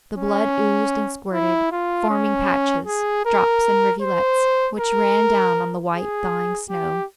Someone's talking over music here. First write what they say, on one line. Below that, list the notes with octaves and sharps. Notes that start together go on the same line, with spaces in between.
The blood oozed and squirted, forming patches, drops and rivulets, which ran down on the white, thawing snow.
C#4
E4
F4
C#4
G#4
A#4
C5
A#4
G#4
G4